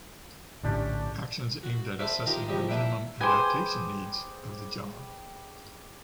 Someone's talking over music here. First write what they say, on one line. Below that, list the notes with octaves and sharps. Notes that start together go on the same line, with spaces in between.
Actions aimed at assessing the minimum adaptation needs of the job.
A#1 A2 D3 C#4 D4 G4
F#4
A4 B4 C5 D5 E5 F5
D#3 D#4 F4 G4 A#4
C2 F3 G3 G#3 G4 D#5
A#3 D4 E4 E5 G5
G4 G#4 B4 C5 G#5